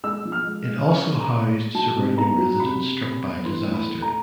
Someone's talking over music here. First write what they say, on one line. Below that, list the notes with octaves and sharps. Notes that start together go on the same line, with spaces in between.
It also housed surrounding residents struck by disaster.
G#3 E6
F3
F6
G#3
G#3
C#4 C#6
A#2
A#5
A#2 B5
G#3
F#3 A5
C3
B3 A#5
F#3
C3 B5
C3
C3
B3
E3 C6
A2
B5
A3
A#5